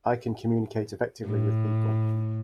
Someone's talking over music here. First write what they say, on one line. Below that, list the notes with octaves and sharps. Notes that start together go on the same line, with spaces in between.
I can communicate effectively with people.
A2